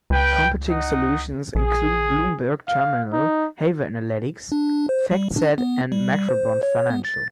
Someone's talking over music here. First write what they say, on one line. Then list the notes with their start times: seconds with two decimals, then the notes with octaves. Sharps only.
Competing solutions include Bloomberg Terminal, Haver Analytics, Factset and Macrobond Financial.
0.10 C#2 B4 G5
0.67 D#4 D#5 F#5
1.55 A#1 G#4
2.68 F5
3.13 D#4
4.52 D4
4.89 C5
5.11 G3
5.36 D4
5.58 B3
5.92 G3
6.29 C5
6.63 C#5
6.90 B3
7.05 A6